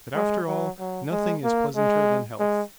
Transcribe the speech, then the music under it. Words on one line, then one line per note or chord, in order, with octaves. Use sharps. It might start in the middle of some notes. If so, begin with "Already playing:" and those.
That after all nothing is pleasanter than health.
G#3
F#3
F#3
G#3
A#3
G#3
G#3